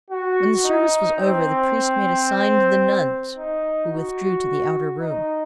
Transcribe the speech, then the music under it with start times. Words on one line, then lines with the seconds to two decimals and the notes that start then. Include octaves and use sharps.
When the service was over, the priest made a sign to the nuns, who withdrew to the outer room.
0.10 F#4
0.65 D#4
1.19 C4
3.37 D#4
3.92 F#4
5.00 D#4